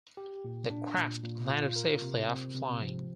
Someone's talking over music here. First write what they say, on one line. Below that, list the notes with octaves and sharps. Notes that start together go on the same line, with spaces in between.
The craft landed safely after flying.
G4
A#2
D4
A#2
A#2
F4
A#4
C3
C4
C3
F3